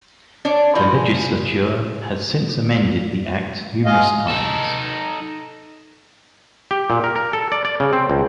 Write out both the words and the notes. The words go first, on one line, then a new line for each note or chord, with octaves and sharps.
The legislature has since amended the "Act" numerous times.
D4 C#5 D5
E3 F3 G#3 F#4
C#3
G#3 F#4 D#5 F5
D#4 A4
G4
A#2
A#4
A#4
A4
D5
D5
C#3
C4
C#2